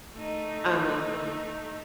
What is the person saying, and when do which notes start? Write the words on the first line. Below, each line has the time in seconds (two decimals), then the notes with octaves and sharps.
Uh-huh. Uh-huh.
0.14 A3 D#4